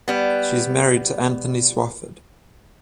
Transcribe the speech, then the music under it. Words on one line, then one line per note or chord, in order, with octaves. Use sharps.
She is married to Anthony Swofford.
G3 B3